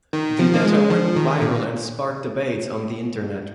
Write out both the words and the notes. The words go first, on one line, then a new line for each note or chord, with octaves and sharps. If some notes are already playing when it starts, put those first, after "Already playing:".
The letter went viral and sparked debates on the internet.
D#3
F3
A#3
G#3
F3
D#3
A#2